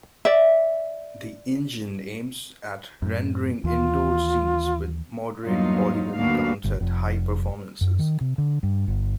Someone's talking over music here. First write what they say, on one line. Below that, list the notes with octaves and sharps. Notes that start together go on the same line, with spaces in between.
The engine aims at rendering indoor scenes with moderate polygon counts at high performances.
D5 E5
F#2 A2
D#2 E3 F4
E2 G2 F#3 A#3 D#4 F4
D2 A#3 B3 D4 F#4 F5
G1
F1
F#2
D#3
C3
D3
G2
G1